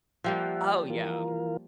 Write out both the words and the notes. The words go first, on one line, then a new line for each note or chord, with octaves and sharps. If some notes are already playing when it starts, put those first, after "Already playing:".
Oh yeah,
F3 G3 A#3 E5 F#5
E3 F4 A#4